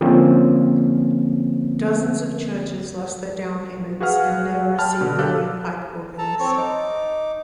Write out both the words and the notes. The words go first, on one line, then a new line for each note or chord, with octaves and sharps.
Dozens of churches lost their down-payments and never received their new pipe organs.
D3 F3 A#3 C4 C#4
F#4 G#4 B4 F5 F#5 F6
G5 A5 B5 F6
B2 D3
G4 A4 A#4 F5 F#6
A4 A5 A#5
C4 A4 C#5
D#4 D6